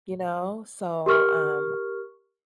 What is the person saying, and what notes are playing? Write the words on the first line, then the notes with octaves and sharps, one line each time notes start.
You know? So, um
G4 A#4 C#6 F6